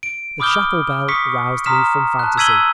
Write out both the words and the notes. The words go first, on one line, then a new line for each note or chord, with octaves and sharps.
The chapel-bell roused me from phantasy.
D7
B5 D6 D#6 F6 G6 G7
C#6 D#6 B6 C#7
A#5 C6 D#6 F6 B6 E7
A5 F#6
E6 G#6 B6 D#7 F#7 G7